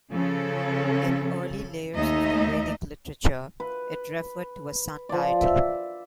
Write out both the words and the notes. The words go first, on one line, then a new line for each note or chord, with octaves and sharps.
In early layers of the Vedic literature, it referred to a sun deity.
C#3 F3 C#4 A4
D#2 A3 D#4 D#5 E5
B4
F3 D5
E5